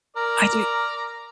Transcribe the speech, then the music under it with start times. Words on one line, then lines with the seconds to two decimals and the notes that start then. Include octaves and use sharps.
I do
0.16 A#4 D5 A#5